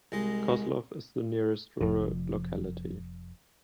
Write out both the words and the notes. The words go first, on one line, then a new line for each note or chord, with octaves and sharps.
Kozlov is the nearest rural locality.
C2 G#3 D#5
F1 F2